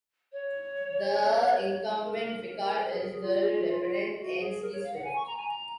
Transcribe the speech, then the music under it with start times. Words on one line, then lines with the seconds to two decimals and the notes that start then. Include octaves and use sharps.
The incumbent vicar is the Reverend Ainsley Swift.
0.32 C#5
2.04 A#4
2.90 G#4
3.01 A#4
3.11 G#4
3.22 F4
4.19 F#4
4.40 G#4
4.62 A#4
4.72 C#5
4.83 F5
4.94 F#5
5.04 G#5
5.15 C#6
5.26 A#5
5.36 G#5
5.47 A#5